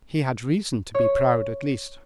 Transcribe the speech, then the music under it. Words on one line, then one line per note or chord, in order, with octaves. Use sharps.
He had reason to be proud, at least.
C#5